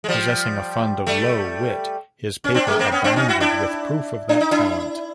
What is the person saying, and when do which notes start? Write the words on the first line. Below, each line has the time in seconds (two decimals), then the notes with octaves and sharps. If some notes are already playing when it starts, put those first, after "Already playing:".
Possessing a fund of low wit, his paper abounded with proof of that talent.
0.04 G#3
0.09 F3 G3
1.06 G3 A3
2.44 C#4
2.54 C4 D4
2.67 G#3 A#3
2.79 A#3 C4
2.91 B3 C#4
3.04 C4 D4
3.16 C#4 D#4
3.28 E4 F#4
3.40 D4 E4
4.29 D4
4.41 D#4
4.51 D4 E4